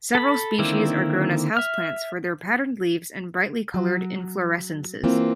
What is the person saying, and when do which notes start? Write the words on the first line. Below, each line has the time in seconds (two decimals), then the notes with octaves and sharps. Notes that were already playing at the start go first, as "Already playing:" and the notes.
Several species are grown as houseplants for their patterned leaves and brightly coloured inflorescences.
0.15 A4 B5
0.59 D3 D#3 A#3 C4 E4
1.57 E5 F6
3.74 F#3
5.04 E3 A#3 C4 F4